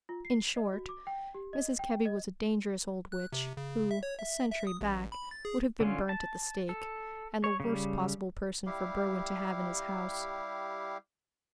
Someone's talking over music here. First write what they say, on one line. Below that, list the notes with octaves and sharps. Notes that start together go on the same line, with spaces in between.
In short, Mrs. Kebby was a dangerous old witch, who, a century back, would have been burnt at the stake; and the worst possible person for Berwin to have in his house.
F4
C7
D#5
F#4
D6
G5
G4
D#5
G5
D#5
F#6
C3
C#3
E5
C#5
E5
E5
D#6
A1
B5
A6
G#4
D3 C#4 F4
A5
A4
C#5
C#3 G3
G3 E4 G4 F5